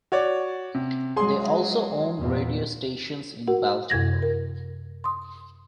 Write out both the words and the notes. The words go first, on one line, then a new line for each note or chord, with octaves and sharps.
They also own radio stations in Baltimore.
F#4 C#5 D5
C3
F#3 G#3 G#4 G#5 C6
E2 A#2
F#4 A#4 F#5
F#2 C3 G#6 A#6
A#4
C6 D#6